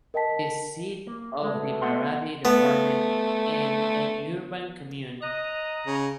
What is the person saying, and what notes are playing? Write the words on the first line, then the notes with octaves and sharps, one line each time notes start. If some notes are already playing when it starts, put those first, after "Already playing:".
It is seat of the Maradi Department and an Urban Commune.
A#4 D#5 G5 A5 B6
A#3
B2 G#3 A3
B3 F#5 C6
A3 B3
D#5 A#5 D#6 F#6
C#3